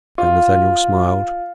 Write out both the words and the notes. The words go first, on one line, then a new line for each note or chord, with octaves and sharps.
Sir Nathaniel smiled.
F4